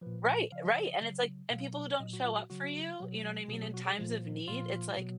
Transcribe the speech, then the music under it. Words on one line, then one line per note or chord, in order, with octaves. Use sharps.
Right, right, and it's, like and people who don't show up for you, you know what I mean, in times of need, it's, like,
A#2 F3 B4
C#3 F3 F5
D#5
C#5
D#5
C#3 F#3
B2 F#3 F5
A#2 F#3 D#5
F#4
F4
F#4
C#3 F#3 F#4
B2 F#3
B2 F#3 G#4
G#4
F#4
G#4
A#2 F3
A#2 F3 F4
B2 F#3